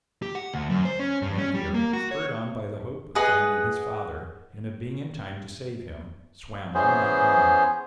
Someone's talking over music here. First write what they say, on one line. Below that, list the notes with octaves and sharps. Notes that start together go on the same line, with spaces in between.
Pinocchio, spurred on by the hope of finding his father and of being in time to save him, swam all night long.
G4
F#5
D2
F#2
C5
C#4
G2
C#4
G3
A#3
F#4
C#5
G#4 B4 D#5 F#5
E3 B3 C#4 G#4 C5